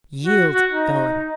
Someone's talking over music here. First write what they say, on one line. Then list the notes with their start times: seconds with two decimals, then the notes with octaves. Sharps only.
"Yield, fellow!"
0.23 F#4
0.54 F#4
0.71 D#4